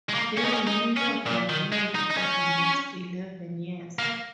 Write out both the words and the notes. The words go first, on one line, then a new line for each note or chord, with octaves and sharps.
There "New York" remained for the next eleven years.
G#3
A#3
C#4
D#4
C#4
D#4
C#4
A#2
D#3
G#3
D#4
D#4
C#4
A#3